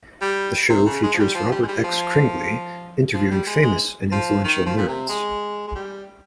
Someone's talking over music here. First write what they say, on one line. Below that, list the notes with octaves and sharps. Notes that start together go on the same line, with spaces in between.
The show features Robert X. Cringely interviewing famous and influential nerds.
G3
C3
C#3
G#3
F3
G3
F3
G3
G#3
G3
F3
F3
G3
G#3
G#3
F3
D#3
F3
A#2
C3
G#3
G#3
G3